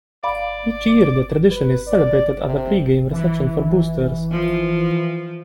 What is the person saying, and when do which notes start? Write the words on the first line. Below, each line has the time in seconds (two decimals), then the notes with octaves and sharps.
Each year the tradition is celebrated at a pre-game reception for boosters.
0.24 D5 F5 B5
1.51 B4
1.87 D5
2.43 C3
3.10 E3
4.31 F3